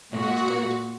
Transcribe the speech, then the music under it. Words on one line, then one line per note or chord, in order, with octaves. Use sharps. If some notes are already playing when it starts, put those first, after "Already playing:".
And that's good.
A#2 F#4